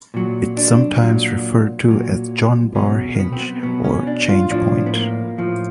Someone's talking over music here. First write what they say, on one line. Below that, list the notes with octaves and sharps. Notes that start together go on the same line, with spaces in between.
It is sometimes referred to as a Jon Bar hinge or change-point.
A#2 F#3
D4
A#2 F#3
A#2 F#3
B2 F#3 C#4
A#3
B3
C4
B3
B2 F#3 B3
C#4
D4
F4
A2 F3 D4
B3
A#3
A2 F3